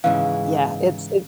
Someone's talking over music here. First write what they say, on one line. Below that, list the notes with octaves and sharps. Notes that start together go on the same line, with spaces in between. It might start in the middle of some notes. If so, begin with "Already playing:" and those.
Yeah, it's it
G#2 C#3 E3 F5